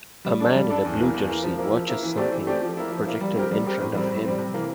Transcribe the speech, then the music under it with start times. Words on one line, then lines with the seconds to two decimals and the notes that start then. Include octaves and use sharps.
A man in a blue jersey watches something projected in front of him.
0.25 G3
0.40 D4 A4 D5
0.55 G3
0.70 D4 A4 D5
0.85 E2
1.00 E3 A#3
1.14 E2
1.29 E3 A#3
1.43 F3
1.59 A#3 E4
1.73 F3
1.87 A#3 E4
2.03 E3
2.17 A3 C4 G4 D5
2.32 E3
2.47 A3 C4 G4 D5
2.62 F3
2.77 A#3 E4
2.91 F3
3.05 A#3 E4
3.21 G3
3.36 C4 G4 A#4
3.51 G3
3.65 C4 G4 A#4
3.80 A2
3.95 G3 C4
4.09 A2
4.24 G3 C4
4.39 C3
4.54 E3 A#3